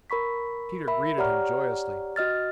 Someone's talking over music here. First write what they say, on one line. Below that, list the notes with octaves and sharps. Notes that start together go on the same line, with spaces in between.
Peter greeted him joyously.
A#4 B5 C#6 B6
A#4 E5 B5
G4 C#5 D5 F#5 A#5 F6
F#4 D#5 F6 A6